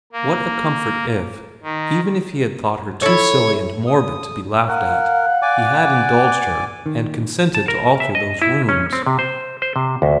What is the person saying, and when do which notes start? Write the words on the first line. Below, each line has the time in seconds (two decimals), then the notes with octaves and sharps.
What a comfort if, even if he had thought her too silly and morbid to be laughed at, he had indulged her and consented to alter those rooms.
0.12 A#3
1.63 D#3
3.03 E4 A4 C#5
3.87 D#6
4.69 A#4 F5 F#5
5.42 D5 G#5 D6
6.86 D#3
7.55 A5
7.68 A#4
8.00 E5
8.15 D#5
8.42 E4
8.69 C#4
8.93 C4
9.06 C3
9.19 C5
9.62 C5
9.76 C3
10.02 D2